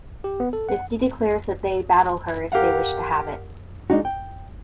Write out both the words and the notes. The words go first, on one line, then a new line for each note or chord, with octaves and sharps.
Misty declares that they battle her if they wish to have it.
G4
B3
A4
F#5
G4 A#4 F5 F#5
G#3 D4 D#4 F#4
G5